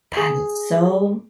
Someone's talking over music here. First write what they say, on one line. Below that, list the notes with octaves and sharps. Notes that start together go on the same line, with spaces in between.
That is so
G#4